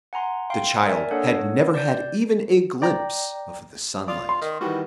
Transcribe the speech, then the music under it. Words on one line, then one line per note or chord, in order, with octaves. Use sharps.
The child had never had even a glimpse of the sunlight.
F#5 G#5 A#5 C6
F5 G5 C6
A#4 D5 E5 G#5
A#3 D4 A4 C#5 F#5
D5 G6
D5 G5 A#5
F4 D5 D6 D#6
C6
D#3
D#3 E3 G3 F#4